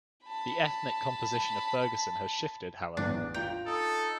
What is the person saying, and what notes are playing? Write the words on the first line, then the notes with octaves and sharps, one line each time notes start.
The ethnic composition of Ferguson has shifted, however.
A5 B5
A1 E2 D4
F4 G5 A#5 F7
D#4 A4